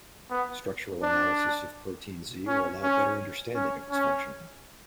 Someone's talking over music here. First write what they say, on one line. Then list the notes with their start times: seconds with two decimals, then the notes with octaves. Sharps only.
Structural analysis of protein Z will allow better understanding of its function.
0.31 B3
1.03 D4
2.47 C#4
2.83 C#4
3.55 C#4
3.91 C#4